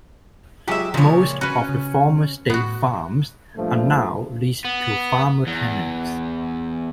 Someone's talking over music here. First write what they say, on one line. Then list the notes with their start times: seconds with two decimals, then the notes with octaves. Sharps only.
Most of the former state farms are now leased to farmer tenants.
0.68 F#3 G#3 F4 G4 E5
0.94 A#2 C#3 F3 D#4 C#5
1.41 C#4 F#4 B4
1.69 C#3
2.50 A2 B3 F#4
3.56 G2 A#2 F3 A3
4.65 B3
5.47 E2